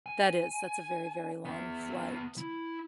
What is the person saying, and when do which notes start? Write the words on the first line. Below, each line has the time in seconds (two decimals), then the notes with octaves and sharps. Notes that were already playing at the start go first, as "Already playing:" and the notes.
That is. That's a very, very long flight.
0.06 G#5
1.45 B3 E5
2.38 E4